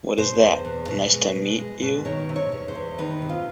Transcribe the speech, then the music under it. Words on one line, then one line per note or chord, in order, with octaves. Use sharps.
What is that, nice to "meat" you?
B2 C5
E2
E2
B2
G#3
B2
G#3
B2
D#3 C#5
C3
C#5
E2
C5
E2
D#3 B4
C3
F4